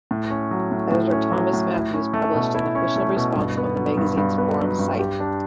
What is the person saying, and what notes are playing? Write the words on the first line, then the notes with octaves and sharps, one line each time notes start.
Editor Thomas Matthews published an official response on the magazine's forum site.
A2
C#4
F#3
A2
A2
C#4
F#3
A2
E4
C#4
A3
B2
E4
C#4
A3
B2
G2
B3
F#3
G2
G2
B3
F#3
G2
G4
D4